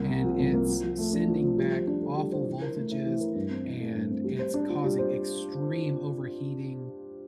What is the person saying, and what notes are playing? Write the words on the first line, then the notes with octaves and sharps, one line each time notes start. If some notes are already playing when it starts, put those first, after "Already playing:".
and it's sending back awful voltages, and it's causing extreme overheating,
Already playing: C2 A#3
C3
F3
C2
A#3
F3
F3
A3
D4
F3
F3
G3
C5
D4
A4
G3
C5
E3
A#4
A3
E4
E3
A#4
G2
C4
E3
A3
G2
C4
G3
C5
D4
F4
G3
C5